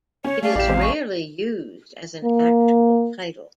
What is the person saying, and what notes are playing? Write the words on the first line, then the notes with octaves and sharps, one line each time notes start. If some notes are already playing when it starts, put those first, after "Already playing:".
It is rarely used as an actual title.
C#4 C#5
A3 D5 F5
A1 G4 D5 E7
E2 G#3 C4
C#6
A#3